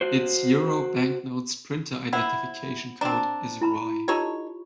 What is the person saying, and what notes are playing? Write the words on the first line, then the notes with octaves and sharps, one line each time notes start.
Its Euro banknotes printer identification code is Y.
F#4 C5
E4 C5 F#5 B5
C4 D4 A#5
E4 A#5 B5
D#4 F4 G4 A4 C#5 C#6